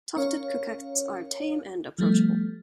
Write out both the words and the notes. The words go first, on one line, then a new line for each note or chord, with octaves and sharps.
Tufted coquettes are tame and approachable.
C#4 A#4 C#5 F5
F3 G3 A3 B3